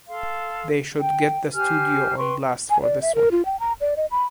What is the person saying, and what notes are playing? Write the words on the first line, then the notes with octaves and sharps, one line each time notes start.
They should get the studio on blast for this one.
A4 F5 C6
G5
G4 C5 G#5 F6
B4 G5 C6 C#6
G#5
D5
E5
A#4
F4
G5
A#5
D5
D#5
B5